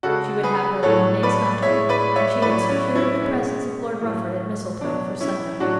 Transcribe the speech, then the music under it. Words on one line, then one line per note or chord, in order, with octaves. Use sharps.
She would have her one day's hunting, and she had secured the presence of Lord Rufford at Mistletoe for Sunday.
C#3 G#3 F#4 A4
G#4 B4
A2 F#3 A4 C#5
B4 D5
A2 G#3 C#5 E5
B4 D5
C#5 E5
A2 F#3 B4 D5
C#4 E4
C#4 E4
B2 G#3 C#4
A2 F#3
B2 F#3 D4
C#4 E4
A2 F#3 D4 F#4